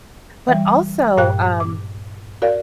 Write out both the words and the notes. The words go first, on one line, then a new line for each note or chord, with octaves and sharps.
But also, um
E3 G3
G2 A#2 F5 G5 F#6
D6
F#4 A#4 D5 F5